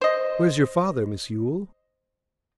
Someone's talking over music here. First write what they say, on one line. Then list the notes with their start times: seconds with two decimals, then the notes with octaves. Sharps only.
'Where's your father, Miss Yule?'
0.01 C5 D#5